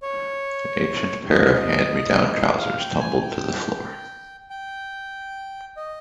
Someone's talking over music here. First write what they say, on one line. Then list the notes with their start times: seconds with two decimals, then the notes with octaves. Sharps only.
An ancient pair of hand-me-down trousers tumbled to the floor.
0.02 C#5
1.30 D#5
2.59 F5
2.79 G5
3.00 G#5
3.22 G5
4.50 G5
5.77 D#5